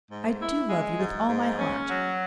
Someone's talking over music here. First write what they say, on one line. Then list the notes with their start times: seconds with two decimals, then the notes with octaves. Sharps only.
I do love you with all my heart.'
0.12 G#2
0.41 E4
0.70 G#3
1.00 G#2
1.29 G#2
1.59 C#4
1.88 F#3